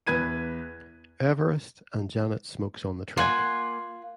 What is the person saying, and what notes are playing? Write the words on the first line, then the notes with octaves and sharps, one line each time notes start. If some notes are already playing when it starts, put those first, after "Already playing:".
Everest, and Janet smokes on the trek.
E2 B4 G#6 D#7
A#3 F4 F#5 G#5